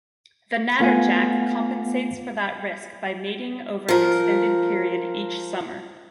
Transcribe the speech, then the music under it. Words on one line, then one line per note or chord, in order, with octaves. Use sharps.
The natterjack compensates for that risk by mating over an extended period each summer.
A3 B3 F4 F5 F#5 G#5
F3 A#4